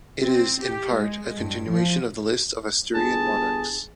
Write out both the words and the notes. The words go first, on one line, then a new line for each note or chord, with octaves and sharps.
It is, in part, a continuation of the list of Asturian monarchs.
C4
G4
G#3
G2
F3
G1 G#4 A5